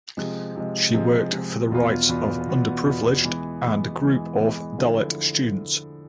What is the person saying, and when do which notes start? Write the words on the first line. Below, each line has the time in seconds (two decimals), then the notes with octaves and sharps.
She worked for the rights of underprivileged and group of Dalit students.
0.17 C3 F3 G#3
0.56 C3 F3 G#3
0.94 C3 F3 G#3
1.33 C3 F3 G#3
1.71 E2 B2 B3 F4
2.09 E2 B2 B3 F4
2.47 E2 B2 B3 F4
2.86 E2 B2 B3 F4
3.24 E3 G#3 B3
3.62 E3 G#3 B3
4.01 E3 G#3 B3
4.39 E3 G#3 B3
4.78 D3 F3 A3 E4 G#4